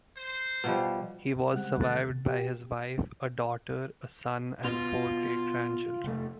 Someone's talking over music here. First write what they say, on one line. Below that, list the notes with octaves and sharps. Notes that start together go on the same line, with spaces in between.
He was survived by his wife, a daughter, a son and four great-grandchildren.
C5
B2 F3 G3
C#3 G3 G#3 C4 F#5 F#6
D#2 D3 A3 A4 F#6 A6
C3
B2 G4
B2 F4
F1 A3